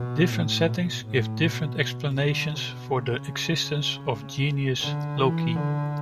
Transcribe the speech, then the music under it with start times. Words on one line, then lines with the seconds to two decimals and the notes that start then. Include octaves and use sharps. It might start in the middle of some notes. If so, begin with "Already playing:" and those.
Different settings give different explanations for the existence of genius loci.
Already playing: B2
0.30 A2
0.68 B2
1.05 A2
1.44 B2
2.17 D3
2.56 B2
2.92 C#3
4.81 D3
5.17 E3
5.56 D3